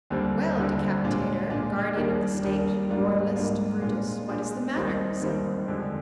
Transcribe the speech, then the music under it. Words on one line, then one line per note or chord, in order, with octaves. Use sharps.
"Well, Decapitator, Guardian of the State, Royalist, Brutus, what is the matter?" said one.
D#2 D3 G3 C4
D#2 D3 G3 C4
A#2 G#3 D4 F4
A#2 G#3 D4 F4
D#2 D#3 G3 A#3 D4
D#2 D#3 G3 A#3 D4
G#2 G3 A#3 D4 F4
G#2 G3 A#3 D4 F4
A#2 G#3 D4 F4
A#2 G#3 D4 F4
D#2 D#3 G3 C4 D#4
D#2 D#3 G3 C4 D#4
F2 D3 G#3 D4